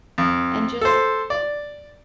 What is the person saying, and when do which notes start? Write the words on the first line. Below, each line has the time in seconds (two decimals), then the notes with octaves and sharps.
and just
0.18 F2
0.81 A4 C5
1.30 D5